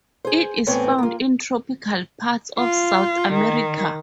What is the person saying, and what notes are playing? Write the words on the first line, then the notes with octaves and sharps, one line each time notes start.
It is found in tropical parts of South America.
G#4 C5
E2 A2 B3 C4 C#5 G#5
A#3 F4
F4
D#3